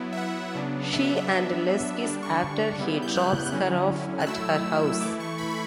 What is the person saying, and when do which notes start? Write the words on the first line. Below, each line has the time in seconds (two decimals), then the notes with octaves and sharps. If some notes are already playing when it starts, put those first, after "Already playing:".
She and Les kiss after he drops her off at her house.
Already playing: F#3 B3 E4
0.13 E5
0.17 F#5
0.55 C#3 F#3 B3 D4
0.93 E5
1.04 F#5
1.16 E5
1.29 F#3 B3 D4
2.04 D3 G3 D4
2.23 C#6
2.78 C#3 G3 B3 E4
3.02 G6
3.16 F#6
3.52 D3 F#3 C#4 E4
4.20 F#6
4.26 F#3 A3 E4 E6
5.01 E3 A3 E4 D6
5.20 C#6
5.38 B5
5.50 B5